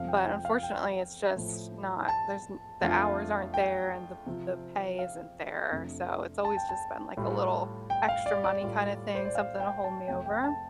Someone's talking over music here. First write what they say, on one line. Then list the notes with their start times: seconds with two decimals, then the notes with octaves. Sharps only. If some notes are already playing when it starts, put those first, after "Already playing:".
But unfortunately, it's just not. There's n the hours aren't there and the p the pay isn't there. So it's always just been like a little extra money kinda thing, something to hold me over.
Already playing: F2 C3 F3 F5
0.08 G5
0.27 G5
0.45 F5
0.63 G5
1.36 A2 F3 A3
2.09 A5
2.81 F2 F3 A3 D4 F4
3.54 G5
4.26 C3 F3 C4 F4
4.99 F5
5.72 F2 C3 A3 D4 F4
6.45 A5
6.57 G5
6.69 A5
7.17 A2 G3 F4
7.90 G5
8.08 F5
8.26 D5
8.44 D5
8.63 A2 G3 F4
9.15 C5
9.25 D5
9.35 F5
9.60 G5
9.84 A5
10.08 F2 C3 A3 G5
10.26 G5
10.44 A5